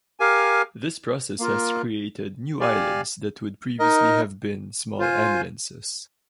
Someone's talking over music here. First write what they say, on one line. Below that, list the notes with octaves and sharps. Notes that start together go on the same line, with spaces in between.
This process has created new islands that would previously have been small eminences.
G4 A#4 F5 G#5
A#3 F4 A#4
G4 D5 F5 G#5
D#4 A#4 D#5
F4 C5 F5 G#5